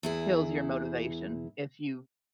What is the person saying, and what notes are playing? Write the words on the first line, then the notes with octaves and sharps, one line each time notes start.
kills your motivation if you
E2 E4 G#4